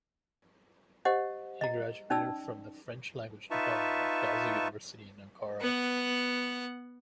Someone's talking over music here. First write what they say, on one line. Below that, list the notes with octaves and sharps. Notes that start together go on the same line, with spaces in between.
He graduated from the French Language Department of Gazi University in Ankara.
G4 C5 D#5 F#5
D#5 A#5
C#4 D#4 D5 A5 E6
D#4 F4 B4 E5 A5 C#6
B3 F#5